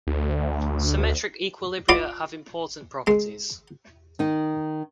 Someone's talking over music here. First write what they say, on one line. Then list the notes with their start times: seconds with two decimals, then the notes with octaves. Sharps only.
Symmetric equilibria have important properties.
0.07 D2
1.89 F4 D5 D#5 B5 C6
3.07 G#3
4.19 D#3 D#4